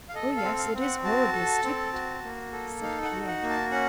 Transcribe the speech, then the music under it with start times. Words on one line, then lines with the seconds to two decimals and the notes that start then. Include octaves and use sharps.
"Oh yes, it is horribly stupid," said Pierre.
0.09 F5
0.15 A4 D#5
0.37 F5
0.44 C4
0.58 F5
0.74 C4
0.81 F#5
1.04 F#4 A5
1.34 A4
1.64 C4
1.93 F#4
2.23 A#3
2.53 A4
2.82 D#4 F5
3.04 F#5
3.12 F#4
3.28 F#5
3.42 A#3
3.50 A5
3.71 C#4 F#5